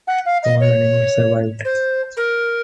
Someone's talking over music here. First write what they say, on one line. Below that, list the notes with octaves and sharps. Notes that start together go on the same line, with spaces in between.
All animals survived.
F#5
F5
D#5
C#5
C5
A#4